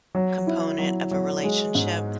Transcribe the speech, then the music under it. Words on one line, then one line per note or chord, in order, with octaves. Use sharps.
component of a relationship,
F#3
E4
F#3
F#3
G#3
G#2